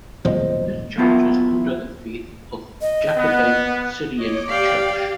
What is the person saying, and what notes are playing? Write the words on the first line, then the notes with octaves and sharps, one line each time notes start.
This church is under the faith of Jacobite Syrian Church.
D#1 G#1 B2 F3 F#3 G#3 C5 D#5
F#3 B3 C4 E4 F4 A#4
D#5
B3
C#5 D#5 D6
G4 D5 F5 G5